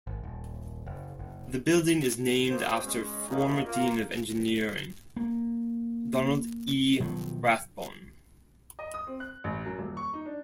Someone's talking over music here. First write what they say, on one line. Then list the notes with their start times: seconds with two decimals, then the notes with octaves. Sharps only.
The building is named after former dean of Engineering, Donald E. Rathbone.
0.07 G#1
0.23 D#1
0.86 F#1
1.19 F#1
2.49 B2 A#3 C5
2.84 G#3 C#4
3.28 B2 F3 A#3 C#4 D#4 E4
3.64 A#3 F4
5.16 A#3
7.00 B2 D#3 F3 F#3
8.79 D#5
8.94 D#6
9.07 C4
9.20 F#6
9.44 A1
9.66 F#2
9.78 D#1
9.97 C#6
10.13 D#4
10.26 D4